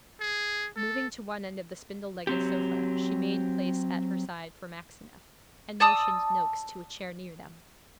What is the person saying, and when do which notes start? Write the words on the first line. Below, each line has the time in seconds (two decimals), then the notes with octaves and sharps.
Moving to one end of the spindle-legged sofa, she made place at her side for Maxineff, and motioned Noakes to a chair near them.
0.21 G#4
0.76 A4
2.27 F#3 C4 G4
5.80 D5 A5 D#6 E6